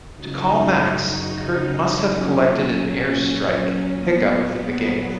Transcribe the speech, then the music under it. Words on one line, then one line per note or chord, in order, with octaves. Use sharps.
To call Max, Kurt must have collected an airstrike pickup within the game.
F#2 C#3 F#3 D#4
A#2 F#3 C#4
A#2 F#3 B3